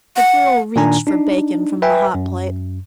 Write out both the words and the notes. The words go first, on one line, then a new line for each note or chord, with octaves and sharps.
The girl reached for bacon from the hot plate.
F#5
A#2 D#3 D4 G#5 A#5
D4 D#4
B4 E5 G5 G#5
F#2